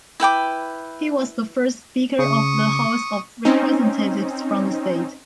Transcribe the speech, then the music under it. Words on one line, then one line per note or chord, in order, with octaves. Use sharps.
He was the first Speaker of the House of Representatives from the state.
E4 B4 G5 D6
C#3 C#6 D#6
C4 C#4 D#4